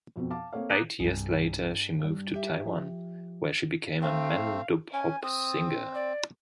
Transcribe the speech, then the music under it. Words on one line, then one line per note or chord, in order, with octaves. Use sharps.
Eight years later she moved to Taiwan, where she became a Mandopop singer.
F2 B2 B3 C4
F5 A5 D6
A#3 C4 A4 C#5 F5
A#5 D6 D#6 F#6 G6 A#6
C2 G2 G#4
G3
G4 E5
F3
A3 C4 F5
C#4 G#5
C4 D#6
D5